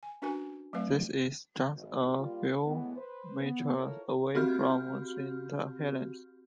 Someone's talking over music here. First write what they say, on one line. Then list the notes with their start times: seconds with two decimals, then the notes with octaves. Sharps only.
This is just a few metres away from Saint Helen's.
0.03 G#5
0.22 C#4 D4 F#4 A#4 B4 G#5
0.73 F#3 A3 C4 B4 F5
1.74 G#1
2.19 G3 A#3 F4
2.65 A2 E3 G#3 B3
2.96 B4 C5
3.42 B3
3.76 E4 F4 A4 A#4 C5 C#5
4.35 C4 F#4 G4 F6 G6